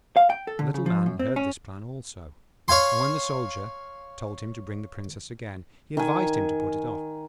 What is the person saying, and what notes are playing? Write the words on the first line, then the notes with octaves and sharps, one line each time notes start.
The Little Man heard this plan also; and when the Soldier told him to bring the Princess again, he advised him to put it off.
F5
G5
A4
D3
C#3
F3
F#2
C4
C#4
C#5 F5 G#5 C6
D#3 G#5